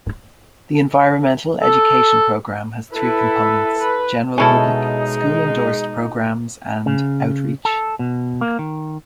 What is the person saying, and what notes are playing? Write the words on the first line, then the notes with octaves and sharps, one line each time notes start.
The environmental education program has three components: general public, school-endorsed programs, and outreach.
A4
E4 A4 B4
B4
B2 G#3 B3 C#4 D#4 E4 A4 C#5
C#3
A4
B2
A#3
D#3